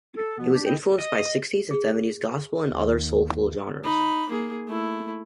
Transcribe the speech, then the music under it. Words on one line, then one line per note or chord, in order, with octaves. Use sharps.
It was influenced by sixties and seventies gospel and other soulful genres.
A4
B2 F3 B3
D4 G4
E4 D#5 G5
D#5
G#4
D#2
D#4 B5
A#3 G#4
A3 E4